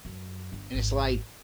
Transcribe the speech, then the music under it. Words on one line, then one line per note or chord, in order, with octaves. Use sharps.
And it's like
F#2
G1
G#1